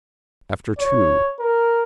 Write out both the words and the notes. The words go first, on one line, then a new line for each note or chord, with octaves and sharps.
After two.
C#5
A#4